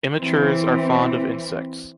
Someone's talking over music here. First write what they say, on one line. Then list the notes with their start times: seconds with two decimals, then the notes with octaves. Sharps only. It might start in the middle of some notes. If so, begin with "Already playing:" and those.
Immatures are fond of insects.
0.17 E3 C4